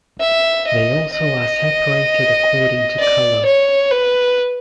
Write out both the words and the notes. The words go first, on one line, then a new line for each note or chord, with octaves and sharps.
They also are separated according to color.
E5
D#5
D#5
D5
C#5
B4